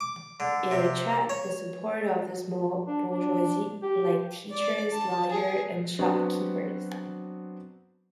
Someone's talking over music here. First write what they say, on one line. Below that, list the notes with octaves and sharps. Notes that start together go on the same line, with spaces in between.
It attracted the support of the small "bourgeoisie", like teachers, lawyers and shopkeepers.
D6
D3
C3
C#5
D4
D4
G4
D5
A5
G#4
F#3 B3 C4 D4 F#4